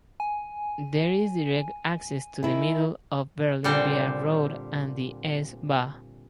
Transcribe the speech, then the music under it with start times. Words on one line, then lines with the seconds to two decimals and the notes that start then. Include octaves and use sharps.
There is direct access to the middle of Berlin via road and S-Bahn.
0.20 G#5
2.43 D#3 E4
3.64 A#2 D3 G3 C4 C5